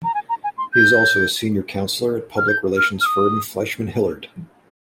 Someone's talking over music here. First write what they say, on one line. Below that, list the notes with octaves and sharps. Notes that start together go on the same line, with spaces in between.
He is also a senior counselor at public relations firm Fleishman-Hillard.
A#5
G#5
A#5
G#5
C6
G6
F6
G6
F6
F6
D#6